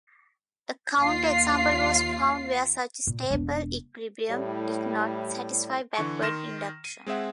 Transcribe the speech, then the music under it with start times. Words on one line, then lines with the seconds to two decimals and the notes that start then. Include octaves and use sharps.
A counter-example was found where such a stable equilibrium did not satisfy backward induction.
0.98 D#2 F4 C7
3.07 A#2
3.30 E1 D4
4.29 A2 G3
5.95 D3 E3 C#6 C#7
6.22 D#3 C6 F6 A#6 E7
6.85 D#7
7.06 G#3 C4 G#4 E5 F#5